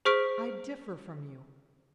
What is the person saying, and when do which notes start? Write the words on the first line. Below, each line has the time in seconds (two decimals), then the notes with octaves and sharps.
'I differ from you.
0.05 G#4 C5 C#6 F6 B6 D7